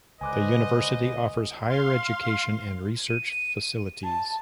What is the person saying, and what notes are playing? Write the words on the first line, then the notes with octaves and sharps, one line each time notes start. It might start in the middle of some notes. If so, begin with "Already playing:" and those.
The university offers higher education and research facilities.
C#2 D3 B4 C5 D#5 G#5 D6 F#6
F5 C6
D#7
A5